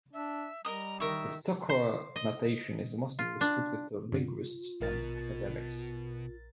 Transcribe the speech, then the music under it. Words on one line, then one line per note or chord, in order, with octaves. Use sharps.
The Stokoe notation is mostly restricted to linguists and academics.
D4 E5
G3 A#4 D#5 A#5 D#6
D#3 A#4 E5 C#6
C5
D#5
F4
D4
G2 D3 F4
A#1 B2 A#4 A6